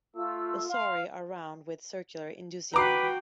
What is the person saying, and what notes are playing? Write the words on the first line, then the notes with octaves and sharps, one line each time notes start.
The sori are round, with a circular indusium.
A3 F4 E6
F5 C6
F#4 B4 G5 A#5 D6 C7